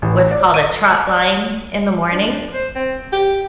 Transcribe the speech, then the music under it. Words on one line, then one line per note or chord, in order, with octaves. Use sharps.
what's called a trot line in the morning
A1
D5
D#7
D5
D4
C5
C4
G4